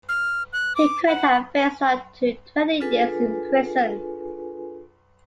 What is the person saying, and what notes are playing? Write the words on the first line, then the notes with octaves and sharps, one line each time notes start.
He could have faced up to twenty years in prison.
F6
F#6
D6
F#5
D4 F4 G#4 A4 B4 G#5